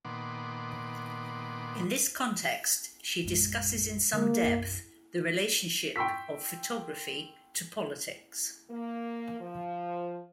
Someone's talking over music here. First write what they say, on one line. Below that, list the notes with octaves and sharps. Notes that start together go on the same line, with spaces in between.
In this context, she discusses in some depth the relationship of photography to politics.
A#2 D#3 B3 F#5 C6 D6
A#1 F#2 G#3
D3 A#3
B1 F#2
G5 C6 C#6 E6 B6
A#3
F3